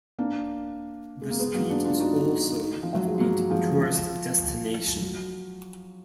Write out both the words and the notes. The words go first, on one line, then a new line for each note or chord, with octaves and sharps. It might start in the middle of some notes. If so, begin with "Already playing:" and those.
The street is also an off-beat tourist destination.
A#3 D4
G#3
A#3
G#3 B3
F#3 A#3
A#3 D4
D4 F4
D#4 F#4
F3
F#3
G#3
F#3 A#3
F3 G#3
F3
F#3